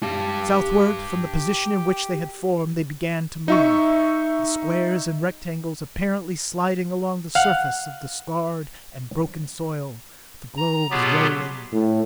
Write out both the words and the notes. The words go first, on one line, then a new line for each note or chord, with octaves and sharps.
Southward from the position in which they had formed they began to move, the squares and rectangles apparently sliding along the surface of the scarred and broken soil, the globes rolling.
G4 A5
D#4 E5 C#6
F5 F#5
A#5
B2 F#3 B3 F4 G4 G#4
A2